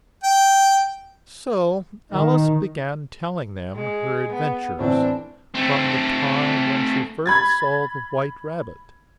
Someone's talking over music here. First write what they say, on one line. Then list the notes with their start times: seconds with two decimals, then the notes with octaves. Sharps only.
So Alice began telling them her adventures from the time when she first saw the White Rabbit.
0.23 G5
2.12 D#3
3.74 G#3
4.32 B3
4.79 A2 E3 C4 D4
5.55 A3 C4
7.26 B5 G#6 A6